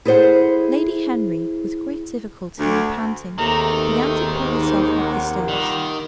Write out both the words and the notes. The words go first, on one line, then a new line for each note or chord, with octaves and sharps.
Lady Henry, with great difficulty, and panting, began to pull herself up the stairs.
E4 G#4 A4 C5 F#5
D2
D#2 G#2 C3 D#3 A3 A#5
D#4
G#2
C3 A#3 F#5
A#2 D#3 G3